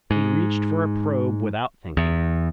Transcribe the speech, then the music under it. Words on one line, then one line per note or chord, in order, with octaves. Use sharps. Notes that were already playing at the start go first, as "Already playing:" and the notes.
He'd reached for a probe without thinking.
G#2
E2